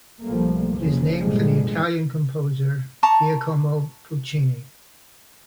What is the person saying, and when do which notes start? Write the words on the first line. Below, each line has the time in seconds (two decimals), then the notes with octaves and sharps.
It is named for the Italian composer Giacomo Puccini.
0.23 B1 F3 G3 A3 A#3
0.75 F#1 F2 C#3 F3
1.18 G1 A#2 D3 F3 G3 G#3
3.03 A5 A#5 C#6